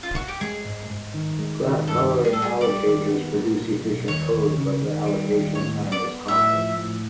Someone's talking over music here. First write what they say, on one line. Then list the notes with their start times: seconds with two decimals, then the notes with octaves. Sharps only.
Graph coloring allocators produce efficient code, but their allocation time is high.
0.03 F4
0.15 F#4
0.28 G4
0.41 G#3 G#4
0.65 G#2
0.90 G#2
1.14 D#3
1.39 G#3
1.63 D#3
1.87 G2 A4
2.12 G3
2.25 G#4
2.33 G3 A4
2.42 G#4
2.61 G3 D5
2.86 D#3
3.10 B3
3.34 A#2
3.59 B1
3.84 B1
4.08 D#2 C#5
4.32 D#2
4.57 C#3
4.81 D#3
5.06 G3
5.30 D#2
5.55 A2 C#5
5.80 B3
5.92 D5
6.04 B3
6.28 A2 E5
6.53 F3
6.78 A2